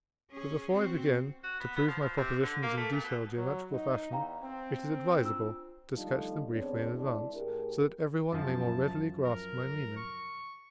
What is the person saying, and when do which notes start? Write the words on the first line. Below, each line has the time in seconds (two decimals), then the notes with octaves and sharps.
But, before I begin to prove my Propositions in detailed geometrical fashion, it is advisable to sketch them briefly in advance, so that everyone may more readily grasp my meaning.
0.31 C#4 G#4
0.72 C4 F#4
1.44 F#4
1.60 B3
1.76 B3
1.88 F3
2.01 F3
2.17 C3
2.43 D3
2.63 A#3
2.77 A3
2.93 A#2
3.04 B2
3.36 F#3
3.72 D#4
4.12 E2 F5 G5 A#5
4.43 C4
5.23 D4 F4 E6
5.94 D3 F3 G3 A3 D#4
6.53 F2 B3 C4 D4 G#4 C#5
6.94 E3 G#3 C4 D4 E4
7.36 A2 G4 G#4 A#4
8.32 F#2 F3 A5
9.24 A#4
9.97 C#6